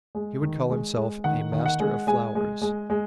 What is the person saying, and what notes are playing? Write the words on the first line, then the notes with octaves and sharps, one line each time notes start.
He would call himself a Master of Flowers.
G#3
D#3
G#3
G#3
D#3 F#5
D#3
F#5
G#3
G#3 G#5
G#3
G#3
G#3